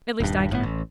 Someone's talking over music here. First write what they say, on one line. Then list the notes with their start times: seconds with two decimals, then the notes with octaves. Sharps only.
At least I can.
0.20 D#1 G2
0.50 G1 A2 B3
0.63 A1